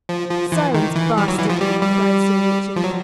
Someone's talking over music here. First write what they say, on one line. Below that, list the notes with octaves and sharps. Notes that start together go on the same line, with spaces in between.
"Silence, bastard!" cried Sir Richard.
F3
F3
E3
D#3
E3
G3
F#3
E3
F3
G3
G3
F3
F#3